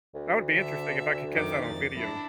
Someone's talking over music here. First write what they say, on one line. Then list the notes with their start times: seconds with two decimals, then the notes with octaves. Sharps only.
That would be interesting if I could catch that on video.
0.15 D2
0.54 D3 E5
1.31 F#2 D#3 D6
1.64 F2 A6
1.97 D4 E4